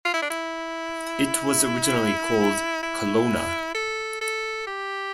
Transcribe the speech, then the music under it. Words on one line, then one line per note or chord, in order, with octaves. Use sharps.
It was originally called Colona.
F4
E4
D4
E4
E4
A4
A4
G4